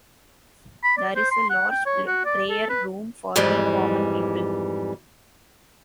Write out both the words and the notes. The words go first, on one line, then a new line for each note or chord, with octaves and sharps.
There is a large prayer room for the common people.
B5
D5
C5
C6
F#5
G5
C#5
F#4
D5
A4
B4
F2 G#2 E3 G3